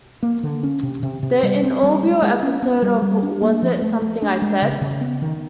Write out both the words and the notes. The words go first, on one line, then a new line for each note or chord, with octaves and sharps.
The inaugural episode of Was It Something I Said?
A#3
D3
C#4
C3
C3
C3
G3
C4
G3
G#3
G#3
C#4
B3
G3
G3
D4
A#3
F3
A3
A3
D4
G#3
C#3
C#3
B3
D#3